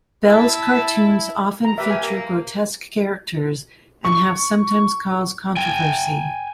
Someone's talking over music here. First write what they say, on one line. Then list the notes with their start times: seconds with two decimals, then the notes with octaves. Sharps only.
Bell's cartoons often feature grotesque characters, and have sometimes caused controversy.
0.25 E4 E5 A5
1.65 A#5
1.78 G4 A#4 B4 E5
1.91 G#5
2.03 A#3
4.05 C#6
5.57 G5 G#5